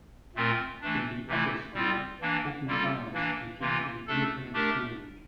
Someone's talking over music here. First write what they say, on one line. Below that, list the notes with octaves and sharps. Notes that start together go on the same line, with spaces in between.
In the Upper School, Holton-Arms competes in the Independent School League.
A#2 A3 C4 F4 A#4
E3 A3 D4
C3 E3 A3 E4
G3 C4 F4
E3 A#3 D4
G3 A#3 F4 A4
E3 A#3 D4
C3 E3 A#3 F4
A3 D4 A4
A3 D4 G4 A#4